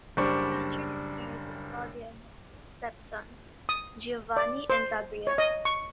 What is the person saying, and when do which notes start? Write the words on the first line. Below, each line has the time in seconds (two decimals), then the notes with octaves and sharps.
Patrick is married to Claudia and has two step sons, Giovanni and Gabriele.
0.17 F#1 G3 D4 C5 C#6 D6
3.69 D#6
4.37 D5
4.70 C5
5.27 C#5
5.38 D#5
5.65 C#6